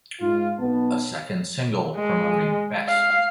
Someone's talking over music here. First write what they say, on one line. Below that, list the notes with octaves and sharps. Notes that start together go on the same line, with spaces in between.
A second single promoting Best...
G#2 F4
B1 B2 B3 A5
G#3
F5